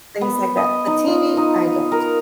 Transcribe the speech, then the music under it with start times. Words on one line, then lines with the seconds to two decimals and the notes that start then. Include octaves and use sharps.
things like that, a TV I don't.
0.21 B3
0.57 D#5
0.87 D#4
1.07 F4
1.37 D#4
1.92 A#4